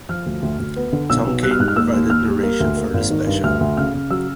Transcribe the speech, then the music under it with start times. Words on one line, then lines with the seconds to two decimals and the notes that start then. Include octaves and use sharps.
Tom Kane provided narration for the special.
0.09 F3 F6
0.26 D2
0.42 D2
0.59 D2
0.76 B3
0.93 D3
1.09 B1 E6
1.27 B2
1.43 G3 F#6
1.51 F6
1.59 G#2 F#6
1.68 F6
1.76 D#2 E6
1.93 D#2
2.10 D#2 F6
2.27 G3
2.43 A#3
2.60 D2
2.77 A#3
2.94 G#1
3.10 D#3
3.27 G2
3.43 D2 F6
3.60 D2
3.77 C#3 F6
3.94 C#3
4.10 F#3 E6